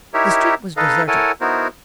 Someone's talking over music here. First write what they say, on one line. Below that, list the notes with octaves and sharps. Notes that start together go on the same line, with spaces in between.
The street was deserted.
D#4 E4 G4 A#4 C#5 E5
D#4 A4 B4 D#5 F5
E4 A4 A#4 C#5 F#5 G#5
B3 D#4 E4 F#4 A#4 C5